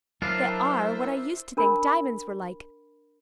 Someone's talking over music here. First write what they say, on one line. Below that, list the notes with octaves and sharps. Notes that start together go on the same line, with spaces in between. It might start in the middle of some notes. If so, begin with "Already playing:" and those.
They are what I used to think diamonds were like.
F#3 D4 E4 F4 A#4 C5 E5 A5
D4 A#4 B5